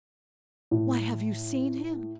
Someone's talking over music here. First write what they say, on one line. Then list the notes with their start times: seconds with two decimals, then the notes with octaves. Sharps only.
Why, have you seen him?
0.71 A2